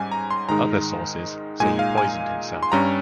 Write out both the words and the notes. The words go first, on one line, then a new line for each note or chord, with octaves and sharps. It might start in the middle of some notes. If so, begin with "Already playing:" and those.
Other sources say he poisoned himself.
Already playing: G#2 G3 C#4 G#5
A#5
C6
G#2 D#3 G#3 D#4 A#5
A#2 G#3 D#4 G#5
F5
G#5
C6
G2 G3 C#4 A#5